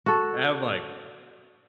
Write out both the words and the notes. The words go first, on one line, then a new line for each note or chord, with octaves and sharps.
And, I'm like,
F#4 A4